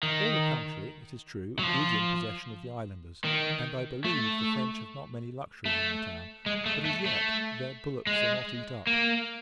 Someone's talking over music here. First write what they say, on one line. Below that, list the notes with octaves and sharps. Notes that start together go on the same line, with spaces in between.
All the country, it is true, is in possession of the islanders; and, I believe, the French have not many luxuries in the town; but, as yet, their bullocks are not eat up.
D#3
F#3
F3
D#3
A3
A3
G#3
A3
A3
A3
G#3
A#3